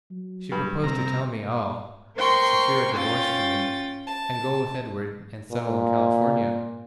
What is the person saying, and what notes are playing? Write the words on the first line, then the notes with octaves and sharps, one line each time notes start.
She proposed to tell me all, secure a divorce from me, and go with Edward and settle in California....
F#3
G2
C3 A#5
A#4 C5 G5 C6 C#6
C#4 F4 G5 A6
A5
A#2